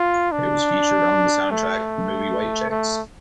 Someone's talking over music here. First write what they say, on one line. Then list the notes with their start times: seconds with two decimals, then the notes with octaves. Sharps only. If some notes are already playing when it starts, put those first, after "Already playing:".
It was featured on the soundtrack of the movie, "White Chicks".
Already playing: F4
0.32 D4
1.51 A3
2.70 A3